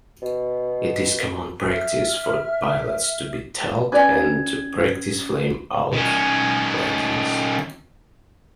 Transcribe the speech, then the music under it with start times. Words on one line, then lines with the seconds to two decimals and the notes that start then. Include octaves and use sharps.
It is common practice for pilots to be taught and to practice flameout landings.
0.22 B2
1.68 E5 F6
3.92 C#4 B4 D5 G#5 G#6
5.93 D#3 C#4